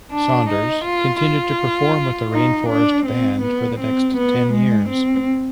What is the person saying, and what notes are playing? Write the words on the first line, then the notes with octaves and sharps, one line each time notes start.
Saunders continued to perform with the Rainforest Band for the next ten years.
D4
D#4
F4
F4
D#4
D4
C4
B3
C4
B3
G#3
C4